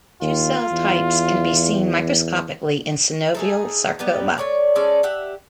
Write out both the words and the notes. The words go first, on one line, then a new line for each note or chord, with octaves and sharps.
Two cell types can be seen microscopically in synovial sarcoma.
D#2 F4
E2
A3 D#4 G#4
G3 B3 D#4 G4
A3 C#5 D5
G#3 C#4 A4 D5
G4 E5 F#5